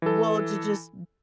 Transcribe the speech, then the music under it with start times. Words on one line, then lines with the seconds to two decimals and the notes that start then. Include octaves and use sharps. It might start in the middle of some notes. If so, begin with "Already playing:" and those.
Well, to just
0.02 E3 A4